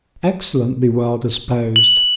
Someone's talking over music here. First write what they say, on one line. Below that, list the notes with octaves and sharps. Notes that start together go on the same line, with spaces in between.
"Excellently well disposed."
F#7